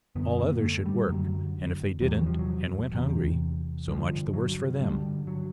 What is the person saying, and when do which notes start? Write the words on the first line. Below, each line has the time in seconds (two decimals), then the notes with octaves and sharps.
All others should work, and if they didn't, and went hungry, so much the worse for them.
0.15 F#2 D3 B3
0.39 A#3
0.62 A3
0.86 G3
1.09 F#2 D3 F#3
2.01 E2 C3 G3
2.14 F#3
2.26 F3
2.39 F#3
2.95 E2 C3
3.88 G2 D3 F3
4.34 F#3
4.80 G2 D3 G3
5.27 F#3